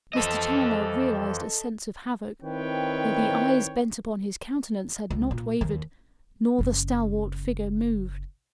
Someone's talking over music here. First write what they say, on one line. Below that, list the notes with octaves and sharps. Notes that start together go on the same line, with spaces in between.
Mr. Challoner realised a sense of havoc, though the eyes bent upon his countenance had not wavered, nor the stalwart figure moved.
F2 E3 F3 A4 D#5
D#3 C4 E4 B4 C#5 G5
C#2
A#2
D#2
F#1 C#3